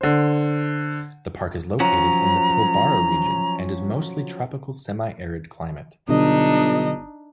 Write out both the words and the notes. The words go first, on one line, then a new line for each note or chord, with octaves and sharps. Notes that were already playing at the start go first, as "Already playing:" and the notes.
The park is located in the Pilbara region, and is mostly tropical semi-arid climate.
D3 C5
F3 F#3 C#4 A#5
G1 B2 D3 F#3 D4 D#4 D#5